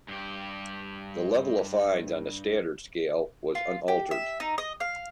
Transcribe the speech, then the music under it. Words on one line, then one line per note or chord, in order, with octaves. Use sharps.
The level of fines on the standard scale was unaltered.
G2 G4
F4
G4
E5
D#4
D#5
F5